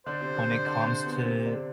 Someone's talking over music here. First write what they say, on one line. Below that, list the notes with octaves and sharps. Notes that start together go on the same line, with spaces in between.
when it comes to
D3 D4 C5
C3 C4
D3 D4
D3 D4
D3 D4
C3 C4
B2 B3
C3 C4
D3 D4